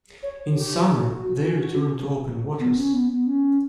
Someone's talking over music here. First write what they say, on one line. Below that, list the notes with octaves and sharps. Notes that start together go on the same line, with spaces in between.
In summer, they return to open waters.
C#5
G4
F#4
F#4
C#4
B3
C#4
B3
B3
C#4